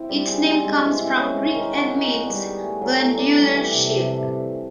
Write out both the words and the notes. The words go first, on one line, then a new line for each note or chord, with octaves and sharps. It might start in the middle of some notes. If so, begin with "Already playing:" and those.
Its name comes from Greek and means "glandular shield".
Already playing: C4 E4
G3
G#4
C4
G#3
E3
E3
C#4
G#3
D#3
F#4
D#4
B3
G3
G#4
A3
F#3
A2
D4
G3
E3
C3
C3